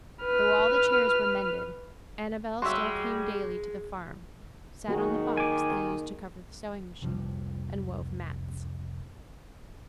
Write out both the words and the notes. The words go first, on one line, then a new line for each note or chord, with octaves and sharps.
Though all the chairs were mended, Annabel still came daily to the farm, sat on the box they used to cover the sewing machine, and wove mats.
B4 F6
G3 G#3 F#4 E5 C6
D#3 A#3 F#4 G#4
G#5 D6
C2 F2 F3 G3